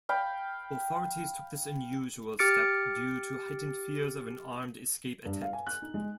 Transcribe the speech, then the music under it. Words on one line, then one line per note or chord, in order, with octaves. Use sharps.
Authorities took this unusual step due to heightened fears of an armed escape attempt.
F5 G5 B5
G4 D6 F6 A6 C#7 D7
G2
F5
G#5
F#6
D#4
G#3